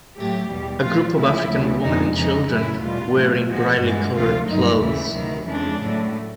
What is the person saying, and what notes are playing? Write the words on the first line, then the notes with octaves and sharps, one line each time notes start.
A group of African women and children wearing brightly colored clothes.
A2 F#3 A3 G4
E2 B2 G3
A#2 F3 A3 F4
D2 C#3 F3 G#3 E4
D2 C#3 F#3 A3
F2 D3 F3 G#3 D#4
F2 C#3 E3 D#4
F#2 C#3 F#3 A3 E4
E2 B2 G3 F4
A2 F#3 A3
A2 F3 G#3 F#4
G2 E3 G#3
D2 C3 F3 A3 F4
G2 D#3 F#3 D#4
D#2 C#3 E3 A3 E4
D2 C3 D#3 F#3
F2 C#3 E3 G#3 D4
A2 F#3 A3